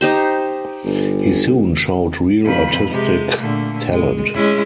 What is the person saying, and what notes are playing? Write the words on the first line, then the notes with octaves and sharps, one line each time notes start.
He soon showed real artistic talent.
D#4 G4 C5
G1
F2 B4
C3 G#3 G4
A#2 D3 A3
G#3
G#3 C#4 E4